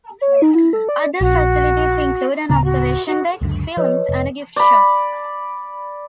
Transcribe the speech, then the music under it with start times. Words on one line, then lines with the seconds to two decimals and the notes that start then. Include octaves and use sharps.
Other facilities include an observation deck, films and a gift shop.
0.21 C#5
0.42 D#4
0.55 E4
0.73 A4
0.89 D5
1.21 A#1 F#4
2.50 D1 C#3 B3 A#5
2.65 F#4
3.07 F#4
3.41 C#2 F#2 D3
3.77 F3 B4 C#5 D#5
4.09 F1
4.56 D5 B5